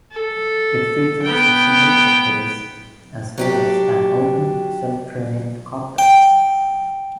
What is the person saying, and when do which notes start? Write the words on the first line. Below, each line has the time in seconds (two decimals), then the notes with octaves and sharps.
It features a single trapeze as well as an open, self-draining cockpit.
0.12 A4
1.24 B3 G5
3.38 F#3 D4 G4
5.98 G5